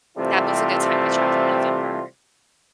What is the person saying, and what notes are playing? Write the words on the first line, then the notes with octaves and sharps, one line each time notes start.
That was a good time to travel, November.
C3 E3 G3 A3 C4 F4